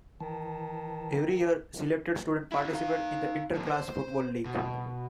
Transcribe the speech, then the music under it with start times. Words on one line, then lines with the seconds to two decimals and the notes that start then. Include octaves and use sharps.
Every year, selected students participate in the Inter-class football league.
0.21 D#3 E3 A5
2.52 D4 E4
2.73 D#4 F5
3.55 A2 F3
3.67 C5
4.45 B2